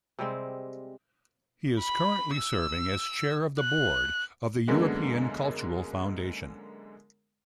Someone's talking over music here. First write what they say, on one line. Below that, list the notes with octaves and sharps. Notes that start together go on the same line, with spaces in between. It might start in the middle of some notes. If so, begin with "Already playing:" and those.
He is currently serving as chair of the Board of the European Cultural Foundation.
C3 G3 G#3 C4
B5
E6
F#6
F#2 D3 G#3 A#3 B3